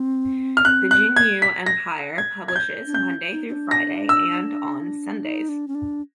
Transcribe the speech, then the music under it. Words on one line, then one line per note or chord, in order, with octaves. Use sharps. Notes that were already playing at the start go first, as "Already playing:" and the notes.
The Juneau Empire publishes Monday through Friday, and on Sundays.
Already playing: C4
F6
C4 F#6
F#6
G#6
B6
A#6
G#6
G#6
G6
D4
C#4 G6
D#4
D#4
D4
A#6
E6
D#4
D4
C#4
D4